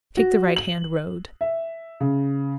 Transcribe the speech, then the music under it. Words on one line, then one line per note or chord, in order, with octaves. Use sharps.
Take the right-hand road.
F#4
F#7
E5
C#3